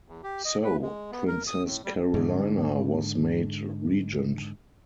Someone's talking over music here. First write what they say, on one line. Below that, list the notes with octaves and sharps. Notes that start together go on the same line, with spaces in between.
So, Princess Carolina was made regent.
E2
G4
D#5
B4
G#3
B3
A#4
D#6
A2
G3
G#2 D3